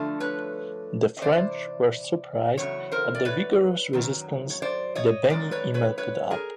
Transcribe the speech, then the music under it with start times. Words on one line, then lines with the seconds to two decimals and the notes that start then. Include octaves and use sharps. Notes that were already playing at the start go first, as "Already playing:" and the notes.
The French were surprised at the "vigorous resistance" the Beni Immel put up.
Already playing: G2 D3 F3 A3
0.20 B4 C#5
1.17 D#5
1.22 C3 E3 C5 D5
2.57 E2 C#3 F#3 C#5
2.92 A#4 C5
3.15 D5
3.25 B4 C#5
3.93 F#2 D#3 F#3
4.50 C#5
4.62 C5 D5
4.95 C#5 D#5
5.30 F#2 D#3 G#3 D5
5.51 B4 C#5
5.74 B4 C#5
5.98 B4 C#5
6.30 G#4 A#4